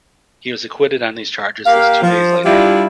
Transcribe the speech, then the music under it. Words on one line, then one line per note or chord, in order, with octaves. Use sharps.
He was acquitted on these charges just two days later.
A#3 G4 F5
F3
G3 D4 E4 F4 G4